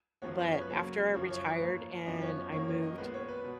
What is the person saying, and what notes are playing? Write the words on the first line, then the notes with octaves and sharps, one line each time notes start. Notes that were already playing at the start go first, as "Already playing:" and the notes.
but after I retired and I moved
F#2 F3 G#3 B3 C#5
B4
C#5
B4
C#3 F#3 A#3 C#5
F#2 C#3 F3 C#5
C#5
B4
G#2 F3 A#3 C#5
F#2 F3 B3 D#5
C#5
C#5
F#2 D#3 A#3 C#5
C#5
D#5
A#2 G#3 B3 B4
C#5
B4
B2